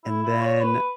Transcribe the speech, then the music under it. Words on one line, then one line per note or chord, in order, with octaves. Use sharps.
And then,
E4
E4
C#5
B4